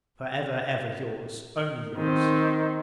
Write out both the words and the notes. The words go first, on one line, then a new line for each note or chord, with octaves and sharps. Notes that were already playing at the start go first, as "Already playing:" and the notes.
For ever, ever, your's, only your's.
D#3 C4